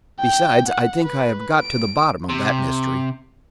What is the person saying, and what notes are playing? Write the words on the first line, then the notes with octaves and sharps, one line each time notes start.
"Besides, I think I have got to the bottom of that mystery."
G5
F#5
B4
D7
C3